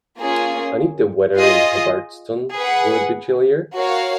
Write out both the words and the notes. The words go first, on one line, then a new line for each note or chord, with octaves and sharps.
I need the weather in Hubbardston, will it be chillier?
A#3 C#4 F4 G#4
F4 G#4 D#5
G#4 B4 F#5
F#4 A#4 C#5 F5